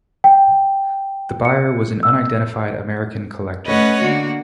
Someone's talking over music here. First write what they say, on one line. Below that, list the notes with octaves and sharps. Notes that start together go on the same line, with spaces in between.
The buyer was an unidentified American collector.
G5
C#7
E6
A3 C#4 B4 C#5 D#5 F#5
D3 A#3 F#4